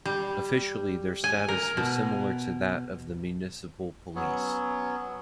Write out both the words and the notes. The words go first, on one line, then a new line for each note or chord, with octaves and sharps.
Officially their status was similar to that of the Municipal Police.
G3
G#5
A#4
B2
F#3 B3 C#4